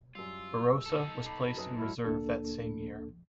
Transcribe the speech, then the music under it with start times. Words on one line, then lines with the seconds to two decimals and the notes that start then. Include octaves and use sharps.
"Barrosa" was placed in Reserve that same year.
0.15 F#2 G3 F4 E6
0.86 D#4 A4
1.26 A5 B5 D6 C7
1.57 F#2 B4 D#6
1.78 G#2 F#3 E4 A#4
2.05 D2 A#3 D4 A4